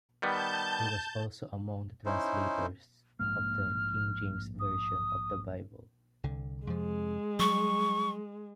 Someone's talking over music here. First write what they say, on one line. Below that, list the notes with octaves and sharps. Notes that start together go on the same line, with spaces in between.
He was also among the translators of the King James Version of the Bible.
D#3 G3 B3 A5 G6
C#4 D#4 E4 C5
A#1 G#2 A#3 F6
D#6
C2 D3
F2 C3 F3 G#3
F#3 G3 C#6